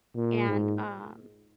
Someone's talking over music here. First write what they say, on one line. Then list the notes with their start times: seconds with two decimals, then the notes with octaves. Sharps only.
and, um,
0.16 A#2
0.47 G#2